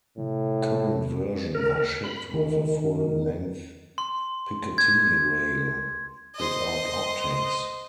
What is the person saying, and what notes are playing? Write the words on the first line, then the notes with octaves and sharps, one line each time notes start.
Current version are shipped with a full length Picatinny rail, without optics.
A2 C3
A#4
B5
D#3
C6
G#6
C5 D#5